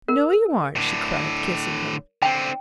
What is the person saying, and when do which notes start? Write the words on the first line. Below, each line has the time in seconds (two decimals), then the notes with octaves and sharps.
"No, you aren't," she cried, kissing him.
0.08 A#4
0.76 A2 D3
2.22 D3 C4 G5